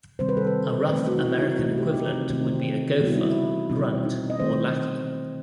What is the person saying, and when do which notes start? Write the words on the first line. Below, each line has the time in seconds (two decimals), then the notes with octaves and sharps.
A rough American equivalent would be a "gofer," "grunt" or "lackey".
0.19 C3 D#3 G3 C4 C5
0.29 B4
0.37 A4
0.47 B4
0.89 E3 A3 C4 B4
1.08 F#4
1.18 D#4
1.25 E4
1.42 D#4
1.59 C3 E3 A3 E4
1.78 G4
1.94 D#4
2.13 C4
2.30 C3 D#3 A3 C4 D#4
3.00 C3 E3 G3 B3 F#4
3.08 E4
3.16 D#4
3.26 E4
3.70 B2 G3 C4 D#4
4.05 D#4
4.30 D#5
4.39 D#3 A3 C4 C5